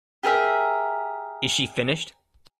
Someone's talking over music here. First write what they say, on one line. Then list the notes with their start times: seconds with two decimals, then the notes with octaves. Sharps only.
Is she finished?
0.23 G4 G#4 A#4 E5